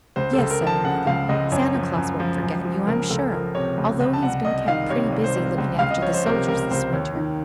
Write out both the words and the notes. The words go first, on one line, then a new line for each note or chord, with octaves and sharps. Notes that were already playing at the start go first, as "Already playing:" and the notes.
"Yes," said her mother, "Santa Claus won't forget you, I am sure, although he has been kept pretty busy looking after the soldiers this winter."
C#2 C5
A4
C#2
A#4
F3
A5
C#3 F#5
C#2 F5
C#2 D#5
F#2 C#5
F3
F#2
F3
F#2
F3
C#2 A#4
C#2 A4
F3 A#4
C3 C#5
C#2
C#2
A5
C2 F#5
C2 D#5
D#3 F5
C3 C#5
C2
C5
C2
C#2
C#2 F5
D#5
F3 C#5
C5
C3 A#4
C#2 A#4
C#2 C5
D#2 C#5
D#3